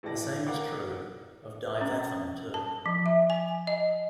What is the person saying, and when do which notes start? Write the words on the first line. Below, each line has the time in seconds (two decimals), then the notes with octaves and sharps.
The same is true of Daivatham too.
0.03 A1 A2 E3 A4 D5 A#6
0.47 A#4 D5 F5 F#5 D6
1.81 C#4
2.54 A5
2.86 F3
3.06 E5
3.30 G#5
3.67 D#5